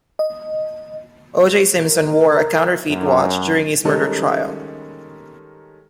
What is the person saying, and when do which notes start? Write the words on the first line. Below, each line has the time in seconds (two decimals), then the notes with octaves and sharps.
O. J. Simpson wore a counterfeit watch during his murder trial.
0.19 D#5
1.80 A#4
2.88 F#2
3.85 D#3 G3 G#3 C#4 A4 A#4